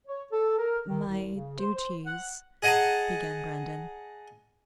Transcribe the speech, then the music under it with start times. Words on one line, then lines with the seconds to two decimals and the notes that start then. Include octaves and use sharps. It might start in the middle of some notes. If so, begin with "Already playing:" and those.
"My duties--," began Brandon.
0.07 C#5
0.33 A4
0.59 A#4
0.88 D#3
1.07 C2
1.34 C#3
1.58 C5
1.74 C5
2.06 F#5
2.63 G#4 D#5 F#5 A5 A#5